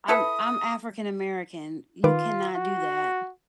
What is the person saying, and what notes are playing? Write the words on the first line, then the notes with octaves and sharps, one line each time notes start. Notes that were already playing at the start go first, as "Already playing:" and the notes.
I'm I'm African American, you cannot do that.
E4 A4 B4 D#6
D#3 F4 B4 D6
F#4